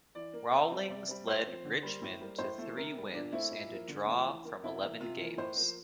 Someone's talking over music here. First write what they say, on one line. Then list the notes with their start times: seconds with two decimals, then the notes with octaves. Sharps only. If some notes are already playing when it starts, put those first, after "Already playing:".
Rawlings led Richmond to three wins and a draw from eleven games.
0.15 E3 D5
0.33 A#3
0.52 C3 E5
0.71 G3 C4
0.89 C3 D5
1.08 G3 C4
1.26 A#2 C5
1.46 F3 C4
1.65 D3
1.83 G3 A#3
2.02 A2
2.21 G3 A#3
2.38 A2 C5
2.58 E3 A3
2.77 C3 A#4
2.95 G3 A#3
3.14 A#2 D4
3.33 A3 C4 E4
3.51 A#2 E4
3.70 F3 A#3
3.88 D3
4.07 F3 A3
4.26 E3
4.45 A#3
4.63 C3 E4
4.82 E3 A#3
5.00 C3 F4
5.19 E3 A#3
5.37 A2 C5
5.57 F3 A#3